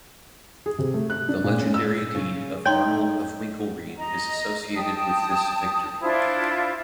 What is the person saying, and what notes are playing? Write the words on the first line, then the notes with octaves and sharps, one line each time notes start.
The legendary deed of Arnold of Winkelried is associated with this victory.
G#4
C3
A3
F#6
D4
A#2
C#4
E6
C#3
D#4 C#5 D5 G5 C6
D#5 A#5
G5 A5 D#6
D4 E4 F4 C5